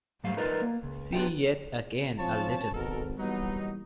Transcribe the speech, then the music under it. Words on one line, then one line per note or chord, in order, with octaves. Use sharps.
See yet again a little.
G#2 F#3 G3 A3 F5
D#4 F4 A#4 B4 D5 D#5
A#3
C#2
B3 D4 F4 G4 E5 G5
E3 F3 G#3 C4 C#4 C#5 A5
G#1 B2 A4 A#4
A#2 E3 F#3 G3 B3 D#4